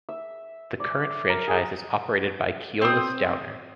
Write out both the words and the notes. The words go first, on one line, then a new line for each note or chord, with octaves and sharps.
The current franchise is operated by Keolis Downer.
E5
D5
A#4
G#4
C4 D#6